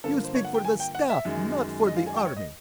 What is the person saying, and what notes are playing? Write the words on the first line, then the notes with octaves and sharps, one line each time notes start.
"You speak for the Staff--not for the Army!"
G2 D3 F3 A#3 A4
A#4
C5
C#5
F#5
G5
G#5
G5
F#5
E5
F#2 D#3 G#3
D#5
F5
G#5
G5
C#5
D#5